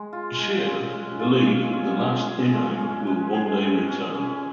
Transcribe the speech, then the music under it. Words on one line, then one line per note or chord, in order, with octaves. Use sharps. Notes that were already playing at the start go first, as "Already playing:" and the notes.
Shi'a believe that the last Imam will one day return.
Already playing: G#3
F4
G#3
C#4
G#3
F4
G#3
C#4
G#3
G#4
G#3
C#4
G#3
G#4
G#3
C#4
C#4